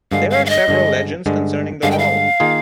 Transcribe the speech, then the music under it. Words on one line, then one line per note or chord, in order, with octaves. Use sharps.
There are several legends concerning the wall.
G2 D3 G#3 F5
F5
F5
D#5
G2 D3 G#3
G2 D3 G#3
G2 D3 G#3 F5
G5
F5
D#3 A#3 F4 G#4